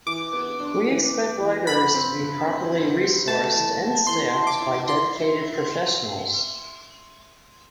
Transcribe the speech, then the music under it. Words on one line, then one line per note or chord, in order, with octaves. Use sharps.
We expect libraries to be properly resourced and staffed by dedicated professionals.
E3 D6
B3
D4
E3
B3
E3
F3 B5
C4
D3
C4
C4
C4
A3 A5
E3
A3
E3 C6
E4
D6
E4
E4 C6
E4
E4